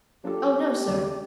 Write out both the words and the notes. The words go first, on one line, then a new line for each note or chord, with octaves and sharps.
Oh, no, sir!
F#3 A#3 D4 F4 G4 A4
D#2 C#3 F#3 A3 D4